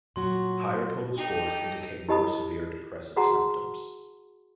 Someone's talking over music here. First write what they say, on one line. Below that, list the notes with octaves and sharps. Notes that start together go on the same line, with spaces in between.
Higher total scores indicate more severe depressive symptoms.
A#2 F#3 F#4 C6
D#4 G4 A4 G5
E4 G4 D#5 A5 B5 D#6
F#4 G#4 F#5 A5 A#5 C6